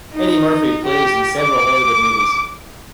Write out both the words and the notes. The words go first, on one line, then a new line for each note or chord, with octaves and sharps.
Eddy Murphy plays in several Hollywood movies.
D#4
G4
D6